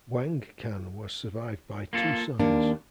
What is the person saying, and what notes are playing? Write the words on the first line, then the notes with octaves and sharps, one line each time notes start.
Wang Can was survived by two sons.
A#3 F4 A4
D#2 A#3 D4